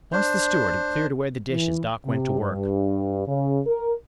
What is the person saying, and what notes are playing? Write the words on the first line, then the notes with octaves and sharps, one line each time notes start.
Once the steward had cleared away the dishes, Doc went to work.
D4 C5
E3
C3
G2
C#3
A#4